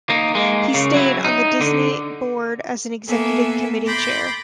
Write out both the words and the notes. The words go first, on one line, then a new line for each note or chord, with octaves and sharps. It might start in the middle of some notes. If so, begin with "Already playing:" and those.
He stayed on the Disney board as executive committee chair.
A#3 D#4
G#3 A#3
C#3
F#3 E4
D#4
D3
A#3 B3 A4 E5 G#5
B5 C6 D6 G6 A6 A#6